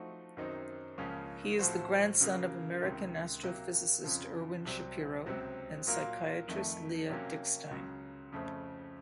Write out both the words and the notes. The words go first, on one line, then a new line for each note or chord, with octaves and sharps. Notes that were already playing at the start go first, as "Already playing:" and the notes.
He is the grandson of American astrophysicist Irwin Shapiro and psychiatrist Leah Dickstein.
Already playing: F3 A3 C4 D#4 F#4
F#2 D#3 F#3 C4 D#4
C#2 C#3 F3 A#3 C#4
A2 F3 C4 F#4 C5
C#3 F#3 A#3 F4
C#2 C3 D#3
C3 F#3 A#3
F2 C#3 F3
C2 C3 F#3 C4
C#2 C3 F#3 C4
A#2 F#3 A#3 F4 A#4
F2 D#3 A3
C3 F#3 A#3 C#4
C#2 C#3 F#3
F2 C#3 A3 C4